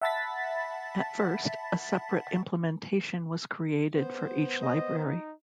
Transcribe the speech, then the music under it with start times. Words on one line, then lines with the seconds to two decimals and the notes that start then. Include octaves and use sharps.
At first a separate implementation was created for each library.
0.02 E5 F#5 A5 B5 A6 B6
3.95 B3 C5
4.63 D#5
4.99 D#4